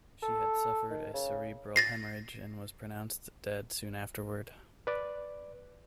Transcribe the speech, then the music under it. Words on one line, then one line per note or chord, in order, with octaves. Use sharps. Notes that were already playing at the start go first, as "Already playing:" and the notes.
She had suffered a cerebral hemorrhage and was pronounced dead soon afterward.
A4
D#3
C#3
A6 A#6 C7
B4 D5